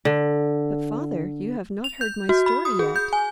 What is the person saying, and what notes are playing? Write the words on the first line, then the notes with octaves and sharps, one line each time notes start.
"But, father, you have not heard my story yet."
D3
F7
G6
F#4
B5
D#6
G#4
G6
G#5